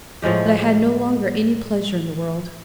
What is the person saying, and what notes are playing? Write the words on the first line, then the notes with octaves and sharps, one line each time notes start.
But I had no longer any pleasure in the world.
A2 F3 G#3 G4